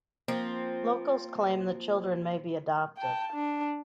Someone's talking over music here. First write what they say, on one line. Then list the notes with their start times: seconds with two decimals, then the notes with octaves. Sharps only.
Locals claim the children may be adopted.
0.28 F3 A#3 C4
2.97 G5 A5
3.33 D4